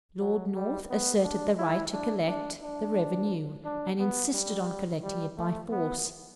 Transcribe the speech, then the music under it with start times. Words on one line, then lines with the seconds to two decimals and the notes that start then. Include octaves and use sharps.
Lord North asserted the right to collect the revenue, and insisted on collecting it by force.
0.21 F#3
0.55 G3
0.90 B3
1.24 D4
1.58 E4
1.93 D4
2.27 D4
2.62 D4
3.65 D4
3.99 B3
4.33 G3
5.03 G3
5.37 A3
5.72 B3